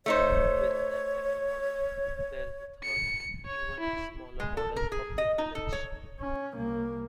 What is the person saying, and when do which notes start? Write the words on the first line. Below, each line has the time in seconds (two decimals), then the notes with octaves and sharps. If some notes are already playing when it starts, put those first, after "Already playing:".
Within that second model there is a third, even smaller model of the village.
0.06 A3 D#4 C5 C#5
2.84 C#7
3.46 C#5
3.80 E4
4.40 G#3
4.57 A4
4.76 A#4
4.92 G#4
5.18 D#5
5.38 D#4
5.55 A4
5.72 C#5
6.20 C#4
6.55 C2 A#3